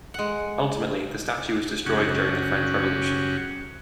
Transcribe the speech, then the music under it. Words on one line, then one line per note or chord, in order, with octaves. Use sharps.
Ultimately, the statue was destroyed during the French Revolution.
G#3 F#5
F#2 C#3 C#4 F#4 G4 F#5